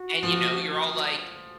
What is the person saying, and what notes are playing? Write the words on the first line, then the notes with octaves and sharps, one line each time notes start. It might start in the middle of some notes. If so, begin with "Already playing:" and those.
and, you know, you're all, like
Already playing: F#4
F3